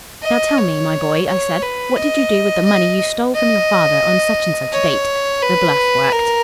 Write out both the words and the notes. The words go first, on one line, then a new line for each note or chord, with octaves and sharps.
'Now, tell me, my boy,' I said, 'what did you do with the money you stole from your father on such and such a date?' The bluff worked.
D#5
C#5
C#5
B4
D#5
D#5
D#5
C#5
B4
A#4